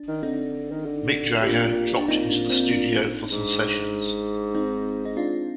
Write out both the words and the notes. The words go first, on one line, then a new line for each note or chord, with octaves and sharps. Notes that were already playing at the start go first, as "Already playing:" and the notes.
Mick Jagger dropped into the studio for some sessions.
Already playing: D4
D#3
D3 C4 D#4
D#3
D3
G4
A#2 D4 F4
D4
A#2 C4 D#4
D4
C4
D4
G#2
C4 D#4
D#4
D4 F4